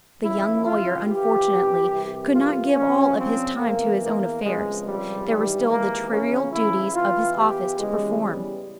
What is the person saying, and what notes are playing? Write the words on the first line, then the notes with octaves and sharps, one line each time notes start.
The young lawyer, unfortunately, could not give all of his time to his own affairs; there were still the trivial duties of his office to perform.
F2 C#3 E3 E4
F4
F2 E3 G4
C2 C3 E3
F4
A#1 A#2 F3 C#4
C4
E2 E3 A#3
A#3
C#2 C3 F3 G#3
G3
G#1 G#2 E3 G3
A#3
F2 C#3 E3 C#4
E4
E2 E3 F4
G4
E2 C#3 E3 G#3
G3